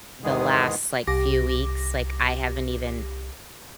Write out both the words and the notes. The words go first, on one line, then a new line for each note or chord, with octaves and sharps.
the last, like, few weeks, like, I haven't even
E2 G#2 D#3 G#3 B3 G#4
C2 G4 D6 A#6